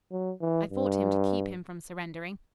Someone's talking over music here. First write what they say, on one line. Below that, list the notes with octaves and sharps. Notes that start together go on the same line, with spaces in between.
I fought him to keep him from surrendering.
F#3
E3
G2